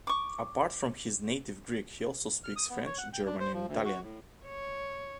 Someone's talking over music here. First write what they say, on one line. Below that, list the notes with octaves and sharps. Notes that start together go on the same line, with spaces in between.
Apart from his native Greek, he also speaks French, German and Italian.
C#6 D6
F6
D#6
B3
C#5
F#5
G5
D4
C5
F3
D2
F#4
A2
C#5